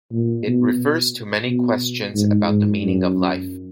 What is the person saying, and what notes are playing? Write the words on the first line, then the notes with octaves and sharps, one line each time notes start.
It refers to many questions about the meaning of life.
A#2
B2
B2
G#2
G#2
F#2